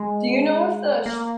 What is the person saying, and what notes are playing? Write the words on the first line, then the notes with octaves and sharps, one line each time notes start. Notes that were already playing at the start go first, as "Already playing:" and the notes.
Do you know if the sh
Already playing: G#3
A#3